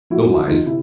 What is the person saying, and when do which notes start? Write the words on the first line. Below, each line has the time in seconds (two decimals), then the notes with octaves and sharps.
No lies!
0.10 F3 E4 F#4
0.29 E4 F#4
0.39 D3
0.48 D#4 F4
0.65 C3 E4